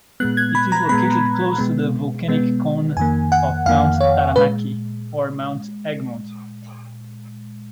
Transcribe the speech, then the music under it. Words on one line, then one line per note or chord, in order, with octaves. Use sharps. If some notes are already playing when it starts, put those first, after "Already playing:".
It is located close to the volcanic cone of Mount Taranaki or Mount Egmont.
A#2 G#3 B3 F#6
G#6
B5
A#5
A#2 G#3 B3 B5
B2 G#3 B3
B2 G#3 B3
F2 D#3 A#3 G#5
F#5
F2 D#3 A#3 F5
C#5
A#2 G#3 B4